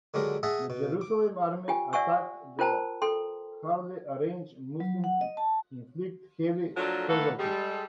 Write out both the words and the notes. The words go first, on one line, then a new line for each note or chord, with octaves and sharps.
The Jerusalem army attacked the hurriedly arranged Muslims, inflicting heavy casualties.
D3 F#3 G#3 D4 G4 A#4
G#4 D#5 E5 F#5 G#5 A5
B2
D6
F4 G4 G5 G#5
D5 E5 F#5 G#5 C#6 E6
F4 A#4 C5 G5 A5 A#5
A4 G5 C6
F#3
F#5
D#5
A5
F3 F#3 A3 D4 A4 A#4
A3 A#3 A4 B4 F#5
G3 G#3 A4